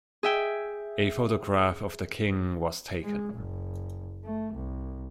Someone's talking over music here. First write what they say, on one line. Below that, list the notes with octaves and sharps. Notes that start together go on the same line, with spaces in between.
A photograph of the king was taken.
G#4 E5 G5
G#3
F#1
A3
C2